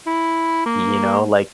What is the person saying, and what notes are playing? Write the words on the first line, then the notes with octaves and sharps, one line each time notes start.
You know, like
E4
A#3